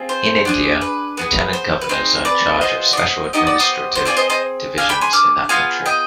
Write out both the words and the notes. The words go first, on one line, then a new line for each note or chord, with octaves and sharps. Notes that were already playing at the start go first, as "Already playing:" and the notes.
In India, lieutenant governors are in charge of special administrative divisions in that country.
Already playing: C4 F4 G#4
C5
D4 F4 G#4
B4
B3 F4 G#4 B4
C5
B4
C4 D#4 G#4 C5
B4 D5
B3 F4 G#4 C5 D#5
D5
C5 D#5
B3 D#4 G4 D#5
D5
C5 D#5
C5
C4 F4 G#4 D5
C5 D#5
C5 D#5
D4 G#4 F5 G#5
G5 B5
G#5 C6
D6 F6
B3 F4 G#4 F5 G#5
D#5 G5